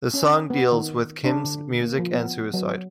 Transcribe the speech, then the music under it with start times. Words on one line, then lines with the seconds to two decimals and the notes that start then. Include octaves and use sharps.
The song deals with Kim's music and suicide.
0.14 C#4
0.50 B3
0.72 D#3
1.24 D4
1.44 D3
1.81 A#3
1.99 F3
2.14 B3
2.54 F#3